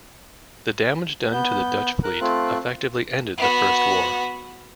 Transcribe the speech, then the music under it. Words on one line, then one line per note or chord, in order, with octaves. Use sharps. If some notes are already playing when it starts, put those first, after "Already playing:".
The damage done to the Dutch fleet effectively ended the first war.
B3 G6
A#4 F#6
A3 C4 F4 F#6
B3 F#4